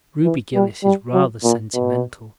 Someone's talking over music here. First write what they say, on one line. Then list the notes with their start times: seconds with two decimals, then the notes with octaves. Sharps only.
Ruby Gillis is rather sentimental.
0.24 E3
0.55 G3
0.84 G3
1.13 F#3
1.44 A#2
1.74 B2